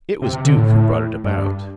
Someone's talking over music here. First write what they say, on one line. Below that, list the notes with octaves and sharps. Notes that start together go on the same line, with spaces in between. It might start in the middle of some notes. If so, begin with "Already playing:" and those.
It was Duke who brought it about.
C3
C3
D3
A2
G2